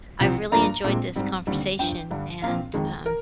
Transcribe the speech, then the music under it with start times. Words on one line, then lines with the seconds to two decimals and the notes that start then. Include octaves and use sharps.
I've really enjoyed this conversation, and, um
0.20 C2 C3 F3 C4
0.52 G2 F3 A#3 D4 A#5
0.84 A#1 A#2 G#3 C4
1.16 G#2 G3 C4
1.47 D#2 D3 G3 C4
1.79 G1 G2 F3 G5
2.11 G2 D3 G3 D4
2.42 A#1 A#2 F3 C4 F5
2.74 F2 D#3 G#3
3.06 A#4